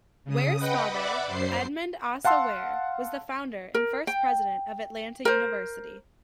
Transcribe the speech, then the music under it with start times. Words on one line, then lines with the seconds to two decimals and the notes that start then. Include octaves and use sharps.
Ware's father, Edmund Asa Ware, was the founder and first president of Atlanta University.
0.25 C#3 D#6
0.59 B4 D#5 F#5 G5 B5
0.90 D5 E5 F#5 B5 D6
1.27 F#2 C5 C7
2.25 F5 F#5 A5 C6 E6
3.75 A#4
4.07 G5
5.25 A#4 C5